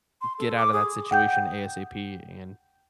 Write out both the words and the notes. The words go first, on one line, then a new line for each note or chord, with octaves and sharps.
get out of that situation ASAP and
C6
A4
D6
G#4
F#5 G5 G6